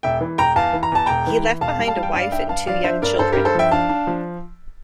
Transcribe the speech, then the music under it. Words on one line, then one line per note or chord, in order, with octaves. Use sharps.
He left behind a wife and two young children.
E1 E5 G5
E3
E1 G5 A#5
E2 F5 A5
E3
A#5
E2 A5
E1 G5 A#5
E3
E3
E1 F5 A5
G3
F5 A5
G3
G5
G2 D5 F5
D4 E5 G5
G2 F5 A5
F3 D5 F5
D4 C5 E5
G2 A#4 D5
G2 A4 C5
G2 G4 A#4
A4 C5
F3 E5 G5
D4 F5 A5
D4
F3